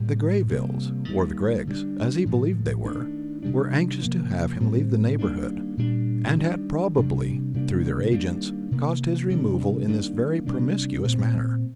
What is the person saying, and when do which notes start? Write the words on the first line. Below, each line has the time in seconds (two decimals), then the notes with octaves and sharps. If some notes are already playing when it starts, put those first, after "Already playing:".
The Greyvilles--or the Greggs, as he believed they were--were anxious to have him leave the neighborhood, and had probably, through their agents, caused his removal in this very promiscuous manner.
Already playing: A2 G3 A#3
0.49 C3 G3 A#3
1.08 D#3 G3 A#3
1.67 D3 G3 D4
2.25 A2 F3 A3
2.84 D#3 A3 D4
3.43 C3 D#3 G3 D4
4.02 C3 F3 A#3
4.60 A2 G3 C4
5.19 D#3 G3 A#3 D4
5.77 A#2 G3 D4
6.36 D#3 G3 D4
6.95 C3 G3 D4
7.54 C3 G3 A#3 D4
8.12 D#3 G3 A#3 D4
8.71 C3 D#3 A#3
9.30 C3 G3 D4
9.88 D#3 G3 A#3 D4
10.47 C3 G3 D4
11.05 A#2 A3 C4